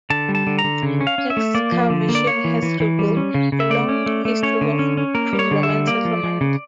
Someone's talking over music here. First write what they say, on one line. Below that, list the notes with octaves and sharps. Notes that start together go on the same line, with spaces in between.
Excavation has revealed a long history of pre-Roman settlement.
D3 A5
G3
A5
D3
A#5
D3
C#3
C#4
F5
C#4
E5
A3
A#3 D5
F3
D3
A#3
D5
A#3 C#5
E3
E3
E3
G3
C#4
C#3
C#3
E5
A3 D5
C#4
A3
A3
C#4 C#5
D3
C#4
C#4
A#3 A#4
G3
C#5
D3
E5
G3
A#3 D5
F3
F3
C#3